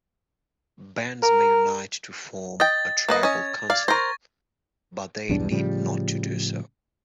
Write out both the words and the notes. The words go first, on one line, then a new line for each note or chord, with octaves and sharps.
Bands may unite to form a tribal council, but they need not do so.
A#4
D#5 G5 A6
A#3 B4 D#5
C#4 D#5 G#6
D5 F5
A#4 C5 C#6 A#6
B1 E2 G2 D4
A2 C#3 F3 G3